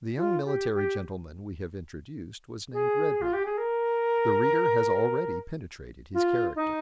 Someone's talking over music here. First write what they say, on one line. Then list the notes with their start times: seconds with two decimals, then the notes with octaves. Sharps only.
The young military gentleman we have introduced was named Redmond. The reader has already penetrated his character.
0.17 F4
0.45 G4
0.74 G4
2.73 G#4
3.21 F4
3.33 G4
3.45 G#4
3.57 A#4
6.14 F4
6.55 D#4